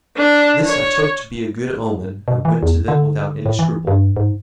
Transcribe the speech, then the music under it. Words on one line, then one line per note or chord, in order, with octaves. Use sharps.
This I took to be a good omen, and went to them without any scruple.
D4
C#5
B2
E3
E2
D3
A2
E3
G2
G#2